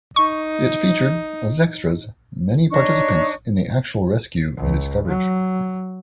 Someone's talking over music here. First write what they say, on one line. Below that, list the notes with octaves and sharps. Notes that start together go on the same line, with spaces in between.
It featured, as extras, many participants in the actual rescue and its coverage.
D#4 C#6
D4 D#4 C#5 C#6
C#2
F#3